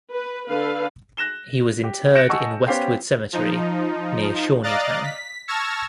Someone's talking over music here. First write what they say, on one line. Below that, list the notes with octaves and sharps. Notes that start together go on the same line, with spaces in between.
He was interred in Westwood Cemetery, near Shawneetown.
B4
D3 A4 B4 F5
F#6 A#6 E7 G7
G4
F#6 G6 A#6 C#7 D7 E7
D#5 F#5 G#5 A5 C#6 E6
B3 C#4 G4 C5 F5 G5
F3 D#4
D5 D#5 F5 A#5 F#6 A6
B6
A5 C#6 E6 F6 G#6 A#6